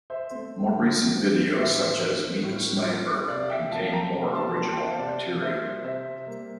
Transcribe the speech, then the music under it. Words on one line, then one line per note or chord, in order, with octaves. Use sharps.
More recent videos, such as "Meet the Sniper", contain more original material.
C5 E5
A3 C4 C5
D3
A3 C4
A2 C5 E5
F3 A#3
A2
F3 A#3
C3 D5 F5
E5 G5
F3 A#3 F5 A5
G5 A#5
C3
A5 C6
F3 A#3 A5 C6
G5
F5 A5
C5
C3 D5
G3 A#3 C5 E5
C3 C5 E5
G3 A#3